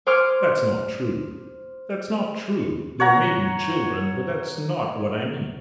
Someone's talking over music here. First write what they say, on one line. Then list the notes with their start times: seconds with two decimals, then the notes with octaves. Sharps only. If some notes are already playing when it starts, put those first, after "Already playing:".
"That's not true, that's not true; there may be children, but that's not what I mean."
0.06 C5 G#5 C#6 D6 F6
3.00 C#5 F#5 A#5